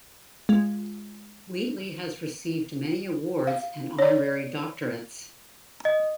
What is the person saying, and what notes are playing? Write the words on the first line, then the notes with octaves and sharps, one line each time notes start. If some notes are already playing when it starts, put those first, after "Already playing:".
Wheatley has received many awards and honorary doctorates.
G#3 F4
F5
C#5 D5
D#5